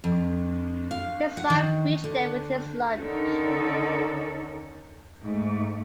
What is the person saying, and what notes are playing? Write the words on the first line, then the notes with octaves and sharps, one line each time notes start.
His wife reached there with his lunch.
F2
F5
F#5
D#3
D3
D3 D#3 C#4 D#4 A4 A#4
G#2 A3